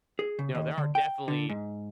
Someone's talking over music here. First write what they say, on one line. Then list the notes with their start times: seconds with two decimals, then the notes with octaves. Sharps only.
you know, there are definitely
0.19 G#4
0.39 C#3
0.55 D#2
0.78 D3
0.95 G5
1.28 D3
1.49 G#2